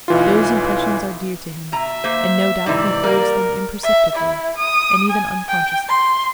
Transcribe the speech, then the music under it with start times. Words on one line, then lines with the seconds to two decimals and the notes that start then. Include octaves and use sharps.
Those impressions are dear to him and no doubt he hoards them imperceptibly, and even unconsciously.
0.08 B1 E3 F4
1.72 B2 E5 A#5
2.04 A#3 C5
2.66 G#2 C3 E3 D5
3.03 G3 A#3 A#4
3.83 E5
4.16 E4
4.57 D#6
5.10 G#5
5.48 G5
5.89 C6